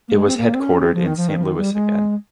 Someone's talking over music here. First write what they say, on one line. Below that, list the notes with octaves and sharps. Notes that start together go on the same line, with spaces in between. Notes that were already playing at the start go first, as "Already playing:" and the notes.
It was headquartered in Saint Louis again.
A#3
G#3
C4
A#3
C4
C#4
C4
F3
D#3
F3
D#3
F3
D#3
G3
G#3